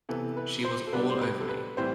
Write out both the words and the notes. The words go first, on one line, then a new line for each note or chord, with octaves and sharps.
She was all over me.
C3 E3 B3 A4
B4
C5
A4
C3 G3 B3 D4 B4
C5
B4
A4
B4
A2 E3 G3 C4 C5